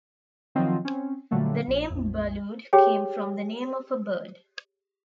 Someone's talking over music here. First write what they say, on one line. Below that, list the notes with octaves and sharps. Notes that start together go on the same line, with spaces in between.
The name Balud came from the name of a bird.
D#3 F3 F#3 C4 F4 D#5
C4 C#4
A#2 D3 F#3 G3 A3 A#3
A#1
A#1 F2
G4 G#4 C#5 G5